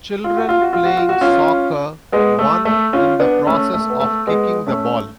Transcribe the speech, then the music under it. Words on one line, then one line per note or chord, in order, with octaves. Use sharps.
Children playing soccer, one in the process of kicking the ball.
F4
F#4
F4
F#4
F4
F#4
F4
F#4
C#4 F4
G#3 B3
A3
A3
C#4 F4
B3 D4
A3 C#4
A3
B3
A3
G#3 B3
A3 C#4